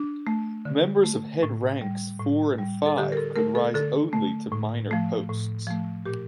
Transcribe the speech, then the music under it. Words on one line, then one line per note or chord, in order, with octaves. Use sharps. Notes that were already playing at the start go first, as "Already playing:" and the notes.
Members of head ranks four and five could rise only to minor posts.
Already playing: D4
A3
D3
A3
A2
G3
A2
G3
A4
D3 G4
A#4
A4
A3 A#4
A4
D3 A4
A3
A2
F3 A3
A2
F3 A3
A#2 G4